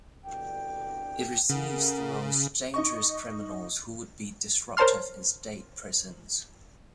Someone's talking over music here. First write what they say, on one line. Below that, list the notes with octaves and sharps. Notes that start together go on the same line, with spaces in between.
It receives the most dangerous criminals who would be disruptive in state prisons.
C2 B2 D3 G5
C#3 A4 A#4 F#5
D#4 D#5 C#6
A#4 C5 C#5 A5 C6 F6